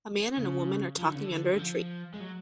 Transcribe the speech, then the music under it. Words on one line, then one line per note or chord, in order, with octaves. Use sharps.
A man and a woman are talking under a tree.
C#3
F3
D3
C#3
D3
D3
F3
G#3
F#3